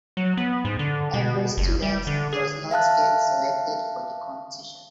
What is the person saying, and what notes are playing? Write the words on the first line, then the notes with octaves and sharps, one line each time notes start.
Every students does not get selected for the competition.
F#3
B3
G#2
D3
B2
F#1
G3
D3
G#4
E5 F5 A5 F#6